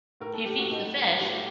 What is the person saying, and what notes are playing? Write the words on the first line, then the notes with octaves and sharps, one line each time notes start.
He feeds the fish,
A2 A#4
A4
G4
F#4
A2 D#4
G4
A2 F#4
G4